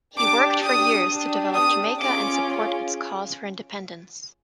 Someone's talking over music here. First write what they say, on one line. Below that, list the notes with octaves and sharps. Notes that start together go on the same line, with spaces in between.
He worked for years to develop Jamaica and support its cause for independence.
D4 G4 D6
D#6
D4
G4
D#6
C#4 F4 G#4 D6